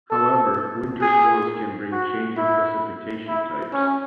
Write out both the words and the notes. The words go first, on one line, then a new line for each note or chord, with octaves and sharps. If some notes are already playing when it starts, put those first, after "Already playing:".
However, winter storms can bring changing precipitation types.
A4
G#4
F#4
E4
E4
C#4